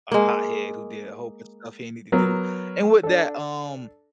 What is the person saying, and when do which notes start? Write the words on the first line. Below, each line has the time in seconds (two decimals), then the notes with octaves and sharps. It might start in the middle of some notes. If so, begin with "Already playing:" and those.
a hothead who did a whole bunch of stuff he didn't need to do. And with that, um
0.11 G#3 A#3
2.12 F#3 B3 A#4
3.03 D4 A4